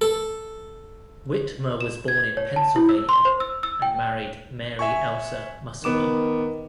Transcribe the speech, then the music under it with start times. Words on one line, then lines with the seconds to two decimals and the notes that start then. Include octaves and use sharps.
Whitmer was born in Pennsylvania and married Mary Elsa Musselman.
0.01 A4
1.81 E7
2.08 G#6
2.37 C#5
2.56 A5
2.76 E4
2.89 E6
3.09 C6
3.25 C5
3.40 E6
3.63 E6
3.82 G5
4.79 E5 G#5 C#6
5.84 D#3 B3 D6 E7